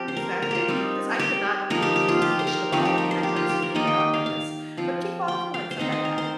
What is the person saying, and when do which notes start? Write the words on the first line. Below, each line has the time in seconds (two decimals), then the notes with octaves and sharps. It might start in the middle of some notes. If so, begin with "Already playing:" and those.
Exactly, 'cause I cannot like, if you pitched a ball at me, and I try to swing at it, I'll probably miss. But a kickball? Come on, it's not that bad.
Already playing: F3 C4 F4 G4
0.08 C5
0.17 A#4
0.42 A#4
0.51 F4 G4
0.68 G3 C4 D#4
1.19 G4
1.70 F3 D#4 A#4
1.82 G4
1.96 G4
2.09 F4
2.22 G4
2.39 C5
2.47 A#4
2.72 F3 C4 D#4 G4
2.85 G4
2.98 A#4
3.11 C5
3.23 G4
3.36 F4
3.49 G4
3.62 A#4
3.75 D#3 A#3 D#4 D#5
3.87 G5
4.00 G5
4.14 F5
4.26 F5
4.77 F3 C4 F4
5.28 G5
5.54 F5
5.71 C5
5.79 D#3 C4 D#4 D#5
5.92 C5
6.05 A#4
6.18 C5